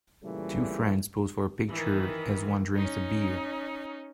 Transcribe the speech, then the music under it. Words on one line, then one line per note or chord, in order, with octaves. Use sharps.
Two friends pose for a picture as one drinks a beer.
A#2 C#3 E3 G3 A3
D#3 E3
C#4 D#4